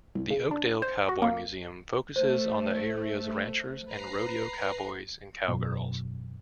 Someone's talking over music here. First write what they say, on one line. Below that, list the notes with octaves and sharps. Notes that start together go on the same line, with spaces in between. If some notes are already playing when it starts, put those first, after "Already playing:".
The Oakdale Cowboy Museum focuses on the area's ranchers and rodeo cowboys and cowgirls.
C2
C#3
D4
C5
F#4
A#3
A3 C5
B4 A#5 C7
E1 F#2 B2